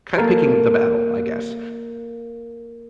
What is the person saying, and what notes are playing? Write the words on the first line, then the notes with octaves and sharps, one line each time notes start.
kinda picking the battle, I guess.
A#3 A4